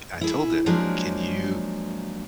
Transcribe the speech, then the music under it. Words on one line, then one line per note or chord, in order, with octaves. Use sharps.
I told them, "Can you"
E4 G#4
F3 F#3 G#3 A#3 D4 D#4